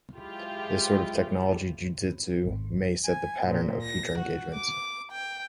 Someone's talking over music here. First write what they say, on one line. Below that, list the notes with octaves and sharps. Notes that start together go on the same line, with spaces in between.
This sort of technological jiu-jitsu may set the pattern of future engagements.
F#3 G#3 E4 F4 G4
G#1
G#5
A#2
A#6
F#4
D6
G5